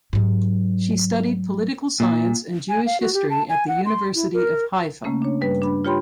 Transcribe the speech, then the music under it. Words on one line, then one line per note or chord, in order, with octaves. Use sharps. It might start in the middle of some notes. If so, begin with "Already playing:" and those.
She studied political science and Jewish history at the University of Haifa.
G#2 F#3
A#2
G#5
F5
F#4
G4
A5
G#5
F#5
C6
E4
A#4
C#3 A3 A#3 C#4
D4 C#5
G2 G3 B4
D4 B5
F4 G4 C#5 G5 B5 C6